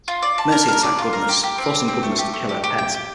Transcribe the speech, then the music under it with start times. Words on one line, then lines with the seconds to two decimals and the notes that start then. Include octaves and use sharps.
Mercy attacked Goodness, forcing Goodness to kill her pet.
0.08 F4
0.22 D5
0.38 A5
0.52 A#4
0.68 A#4
0.83 D5
0.99 F4
1.13 A#4
1.29 G4
1.44 G4
1.58 C4
1.74 G4
1.88 C4
2.03 A3
2.18 G4
2.33 A3
2.49 G4
2.64 G4
2.78 G5
2.94 G4